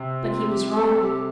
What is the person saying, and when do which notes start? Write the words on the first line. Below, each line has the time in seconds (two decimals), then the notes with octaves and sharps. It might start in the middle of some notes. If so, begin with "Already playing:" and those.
But he was wrong.
Already playing: C3
0.21 F4
0.48 G4
0.74 A4
1.01 G4